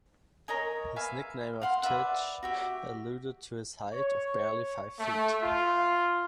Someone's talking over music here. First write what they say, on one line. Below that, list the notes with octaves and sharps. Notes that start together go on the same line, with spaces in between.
His nickname of Tich alluded to his height of barely five feet.
A#4 C#5 D#5 G#5
B4 E5 F5 G#5
F5 F#5 C6
B4 D5 E5 F#5
F#4 G4 E5
C#5
A3
F4